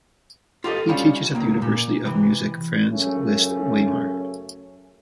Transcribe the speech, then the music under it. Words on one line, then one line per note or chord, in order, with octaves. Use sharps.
He teaches at the University of Music Franz Liszt Weimar.
F4 G4 A4 D#5
G3 C#4 D4 F4
C#2 A#3
A#2
C3 E3
F#2 C#3 A3 C#4